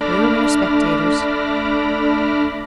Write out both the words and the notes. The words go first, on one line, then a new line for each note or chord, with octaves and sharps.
We were mere spectators.
A3 D4 B5 D6 F6 A#6